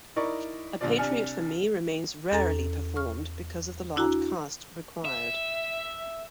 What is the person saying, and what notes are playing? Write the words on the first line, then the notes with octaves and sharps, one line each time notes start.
"A Patriot for Me" remains rarely performed because of the large cast required.
D#4 E4 A#4 D5 C#6
A#1 D3 F4 D5
C2 D4 G#5 F6 C#7
E2 C#4 A4 A#5 A6
C#6 F6
D4 E4 F#4 G#5 A#5
E5